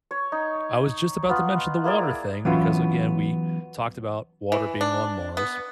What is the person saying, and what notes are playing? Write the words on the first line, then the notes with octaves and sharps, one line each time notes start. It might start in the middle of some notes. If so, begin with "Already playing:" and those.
I was just about to mention the water thing because, again, we talked about water being on Mars.
C#5
D#4
B3 F4
A#3 E4 G#4 D5
E3 F#3 B3 C#4 F4
E3
D4
B3